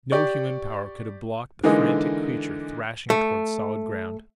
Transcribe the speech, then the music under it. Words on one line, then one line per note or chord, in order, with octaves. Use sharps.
No human power could have blocked the frantic creature thrashing toward solid ground.
G4 D5 C#6
D3 E3 G#3 A#3 D#4
A3